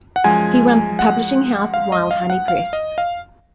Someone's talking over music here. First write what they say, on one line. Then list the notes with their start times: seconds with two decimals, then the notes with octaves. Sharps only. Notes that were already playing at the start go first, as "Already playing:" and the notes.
He runs the publishing house Wild Honey Press.
0.16 F#5
0.24 F#2 F3 G#3 G#5
0.99 F#5
1.74 F5
1.92 D#5
2.11 F5
2.30 F#5
2.48 F5
2.73 D#5
2.98 F5